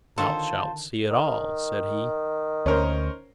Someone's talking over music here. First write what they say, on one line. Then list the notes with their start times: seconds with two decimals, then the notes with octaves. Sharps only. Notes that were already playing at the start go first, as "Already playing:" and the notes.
"Thou shalt see it all," said he.
0.18 D3 D#3 F4 A4 C5 C#5 A5
1.11 D#3
2.66 D2 C#4 A#4 C5